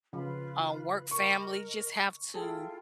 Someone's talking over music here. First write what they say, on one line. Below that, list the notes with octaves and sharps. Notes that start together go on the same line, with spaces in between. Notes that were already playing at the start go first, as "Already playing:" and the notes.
a work family, just have to
C#3 F3 F4 B4 B5
A#4 D#5 C#6
E4 F4 G#4 A4 G5